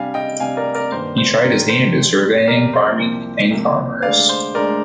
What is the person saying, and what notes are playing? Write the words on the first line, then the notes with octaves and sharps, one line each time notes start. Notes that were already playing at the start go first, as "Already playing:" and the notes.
He tried his hand at surveying, farming and commerce.
Already playing: C3 G3 D4 F5 G#5
D#5 G5
C3 G3 D4 F5 G#5
A#4 D5
A#4 D5
G2 D#3 A#3 D4 C5
C5
G2 D#3 A#3 D4 A#4
C5
F2 C3 G3
F2 C3 G3 A#4 D5
C5
C2 C3 F3 A#3
C2 C3 F3 A#3
D2 D3 G#3 D5 F5
C5
D2 D3 G#3 A#4 D5